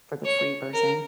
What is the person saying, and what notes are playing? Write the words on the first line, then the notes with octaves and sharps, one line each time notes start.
for the free version.
C#5
A#4